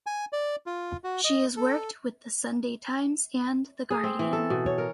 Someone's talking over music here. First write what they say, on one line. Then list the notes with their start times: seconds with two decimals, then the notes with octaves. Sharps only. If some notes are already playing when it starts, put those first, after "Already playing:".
She has worked with the "Sunday Times" and "The Guardian".
0.06 G#5
0.33 D5
0.66 F4
1.04 F#4
1.24 D#5
1.57 A4
3.90 G#4
4.04 C4
4.19 E3
4.33 A4
4.50 B2
4.66 C#5
4.78 A#4